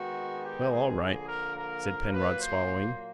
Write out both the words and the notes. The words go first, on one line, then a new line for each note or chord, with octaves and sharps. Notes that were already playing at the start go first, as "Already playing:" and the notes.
"Well, all right," said Penrod, swallowing.
Already playing: D#3 G#3 B3 F#4
G4
G#4
D3 F3 A#3
A#4
A#4
A#2 F#3 A#3 B4
C5